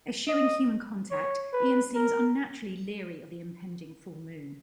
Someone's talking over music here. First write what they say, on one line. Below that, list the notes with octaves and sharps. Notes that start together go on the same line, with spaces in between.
Eschewing human contact, Ian seems unnaturally leery of the impending full moon.
D#5
C#5
B4
A#4